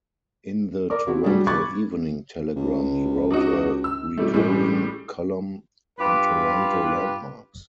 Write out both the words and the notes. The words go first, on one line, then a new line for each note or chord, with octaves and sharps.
In the Toronto Evening Telegram he wrote a recurring column on Toronto landmarks.
A#4 D5 D6
C4 E4 F#4
F#3 G3 B3 D4 G#4
B5 C#6 D6 F#6 G#6 A6
C#2
D4 D#4 F#4
E6
G#1 B2 G3 A3
A1 A2 G3 G#3
G2 F4 G4 B4